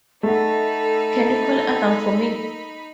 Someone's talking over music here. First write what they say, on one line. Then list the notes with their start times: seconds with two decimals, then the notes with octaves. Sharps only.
Can you call Adam for me?
0.23 A3 D#4 A4 F#5 A5 B5